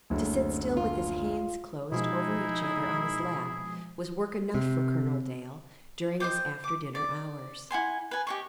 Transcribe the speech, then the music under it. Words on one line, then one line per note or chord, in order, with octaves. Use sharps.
To sit still, with his hands closed over each other on his lap, was work enough for Colonel Dale during his after-dinner hours.
F#1 D2
F4
B2 F3 G#3 D#4 E4 G#4
C3
C5 D#5 G5 D6
D6
D5
E4 F#5 G#5 C6
B4 G#5
G4 D#5 C#6